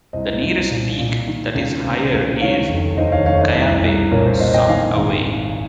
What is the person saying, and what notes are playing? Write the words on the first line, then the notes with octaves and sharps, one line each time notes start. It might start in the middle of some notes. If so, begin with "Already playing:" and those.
The nearest peak that is higher is Cayambe, some away.
C2 C5 D#5
C2
A#2
A#2
D#3
C#2
C3
C#2
D#3 C#5 F5
F1
D#2 C5 D#5
C#5 F5
F1 C#5 F5
C5 D#5
C2
C2
A#2 A#4 C#5
C5
A#2 C5 D#5
D#5 G5
D#3 F5 G#5
G#1